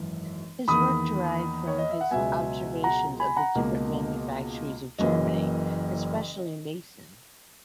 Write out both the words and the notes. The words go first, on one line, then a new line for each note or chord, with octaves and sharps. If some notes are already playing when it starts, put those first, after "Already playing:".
This work derived from his observations of the different manufacturies of Germany, especially Meissen.
Already playing: G#1 F#2 E3
E2 D#3 A#3 B5 D#6
C#5
D#5
E5
F#5
C#2 B2 F#3 B3 E5 G#5
F#5 A#5
G#5 B5
F#5 A#5
C#2 B2 A#3
F#1 F#2 E3 A#3 D#5